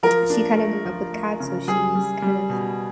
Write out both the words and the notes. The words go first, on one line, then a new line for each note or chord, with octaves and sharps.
she kinda grew up with cats, so she's kind of
F3 A#4
D4
A3
F3
A3
C#3
G3 G#4
G3
G3
B2